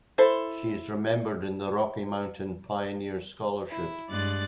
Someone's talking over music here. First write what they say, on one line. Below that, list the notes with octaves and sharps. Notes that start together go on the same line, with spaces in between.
She is remembered in the Rocky Mountain "Pioneer Scholarship".
E4 A4 C5
E4
G2 G#3 D5 F#6 A6